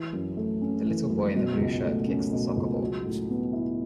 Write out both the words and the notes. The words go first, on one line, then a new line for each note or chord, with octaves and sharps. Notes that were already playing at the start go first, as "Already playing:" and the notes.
The little boy in the blue shirt kicks the soccer ball.
Already playing: E3
F#2
A3
C#4
E3
F#2
B2
C#2
A3
C#4
B2
C#2
F#3
A2
B3
E4